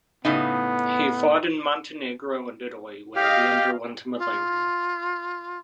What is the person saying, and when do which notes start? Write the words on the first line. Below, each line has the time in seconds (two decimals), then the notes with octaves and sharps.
He fought in Montenegro and Italy where he underwent malaria.
0.25 A2 C#3 B3 D#4
3.16 G4 D#5 F5
4.18 F4